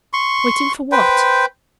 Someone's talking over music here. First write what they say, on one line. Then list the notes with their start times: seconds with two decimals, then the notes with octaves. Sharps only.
Waiting for what?
0.13 C6 C#6
0.92 B4 C5 G5